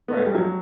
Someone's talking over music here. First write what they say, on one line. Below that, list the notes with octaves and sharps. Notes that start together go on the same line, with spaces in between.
Right, right.
B3
A3
G3
F#3